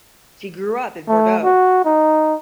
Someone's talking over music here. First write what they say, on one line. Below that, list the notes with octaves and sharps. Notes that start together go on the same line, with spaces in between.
She grew up in Bordeaux.
A3
F#4
D#4